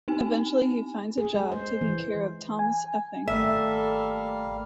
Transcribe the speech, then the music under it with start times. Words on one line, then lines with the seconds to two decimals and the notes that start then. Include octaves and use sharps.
Eventually he finds a job taking care of Thomas Effing.
0.08 B3 C4 D#4 G#5
1.18 G#4
1.34 G#3
1.52 C5
1.81 E3
2.59 G#5
3.28 G#1 G3 A3 A#3 A4 E5 F5